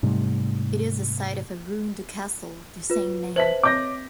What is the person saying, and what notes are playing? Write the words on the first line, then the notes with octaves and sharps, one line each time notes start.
It is the site of a ruined castle of the same name.
G#2 C3 G3 A3
F4 B4
B4 C5 E5 A5 B6 F#7
C4 C#5 D#5 D6 G6 A#6